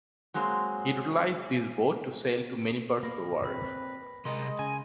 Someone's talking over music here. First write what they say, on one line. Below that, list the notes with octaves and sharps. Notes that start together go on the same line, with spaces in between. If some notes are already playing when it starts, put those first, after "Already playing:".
He utilized this boat to sail to many parts of the world.
F#3 G#3 A#3 C4
A#3 B5 A#6
C4 B4 B5
C3 G#3 A#4 D#5 C6
C#3 G#5